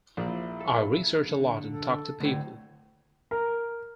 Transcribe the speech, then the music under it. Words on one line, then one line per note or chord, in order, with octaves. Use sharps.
I research a lot and talk to people.
A#1 E4 C5 D5
A4
D3
A4
D2 A2
A#4